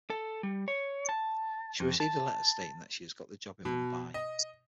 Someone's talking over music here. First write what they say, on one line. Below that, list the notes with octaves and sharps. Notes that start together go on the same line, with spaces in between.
She receives a letter stating that she has got the job in Mumbai.
A4
G3
C#5
A5
F2
A5
B2
D#5